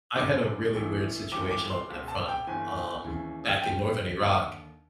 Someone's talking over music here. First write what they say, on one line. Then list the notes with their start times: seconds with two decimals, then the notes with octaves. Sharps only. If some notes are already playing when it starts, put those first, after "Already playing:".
I had a really weird situation on that front, um, back in northern Iraq,
0.16 G1 F#2 D3 D6
0.74 A1 A2 E3
1.32 G1 G2 E3 D6
1.51 D6
1.70 C6
1.90 C#2 B2
2.08 A5
2.28 G5
2.47 G1 G2 E3 G#5
3.05 D#2 C#3 E3
3.62 G1 F2 D3 G5
4.19 D#2 D3